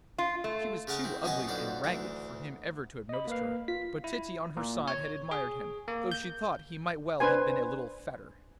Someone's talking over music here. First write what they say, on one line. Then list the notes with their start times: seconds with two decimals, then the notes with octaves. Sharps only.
She was too ugly and ragged for him ever to have noticed her, but Titty on her side had admired him, though she thought he might well have been a little fatter.
0.18 F4
0.44 A3
0.87 C#3 A#4 F#5 A5 C#6
1.04 C4 E4
1.24 F#2 B2 F#4 D#5 G#5 A5
1.47 B1 F2 D3 A4 C5 D5
1.84 D2 E3 D4
3.09 D#5 B5
3.27 A#3 B4 F5
3.68 F4 B6
4.04 E4
4.57 A#2
4.88 C#5
5.31 G#4
5.88 A#3
6.12 G6
7.20 D4 B4 C5 G#5